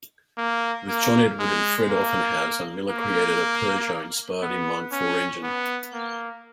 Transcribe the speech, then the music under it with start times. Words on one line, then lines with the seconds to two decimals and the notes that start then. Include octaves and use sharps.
With John Edward and Fred Offenhauser, Miller created a Peugeot-inspired inline-four engine.
0.38 A#3
0.88 A#3
1.39 G#3
1.90 A#3
2.90 A#3
4.42 B3
4.92 C#4
5.43 B3
5.94 A#3